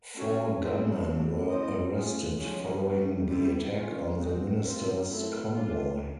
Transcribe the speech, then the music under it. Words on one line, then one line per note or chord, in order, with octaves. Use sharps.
Four gunmen were arrested following the attack on the minister's convoy.
A3 C#4 F#4 A4 C#5
A3 C4 E4 G#4 C5
F#3 A3 D4
B3 E4 G4 C5 D#5
A3 C#4 F4 G#4
F3 G#3 C#4
G3 B3 D#4 F#4
D3 G3 C4 E4
G#3 C#4 F4
G#3 C4 D#4 F#4
C4 F4 A#4
F#3 A3 C4 E4 A4
D4 F4 A4